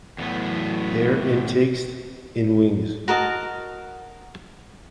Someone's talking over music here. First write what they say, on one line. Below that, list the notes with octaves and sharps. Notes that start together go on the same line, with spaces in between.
Air intakes in wings.
E2 A2 E3 F#3 B3
F#4 A#4 D#5 A5